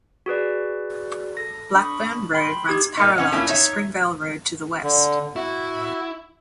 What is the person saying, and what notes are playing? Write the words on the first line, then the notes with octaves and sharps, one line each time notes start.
Blackburn Road runs parallel to Springvale Road to the west.
F#4 G#4 B4 D5
A4 A#6
D4 B5 C#6 D#6
G5 B5 C6
D#4 G4 D#6 G#6
A#2 A#3 D#4
E3 C#4 F#5
A3 A#3 C#4 E4 F4
D#4 C#5 E5
D3
E4 F#4